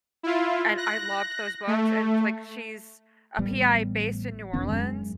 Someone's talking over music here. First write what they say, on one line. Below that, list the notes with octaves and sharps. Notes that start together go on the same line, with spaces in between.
and I loved those books, and it's, like, she's a PI based in New Orleans
E4 F4
F#6 A#6
A3
A1 G3 B3
F1 D#3 B3 C#4
F#2 G#3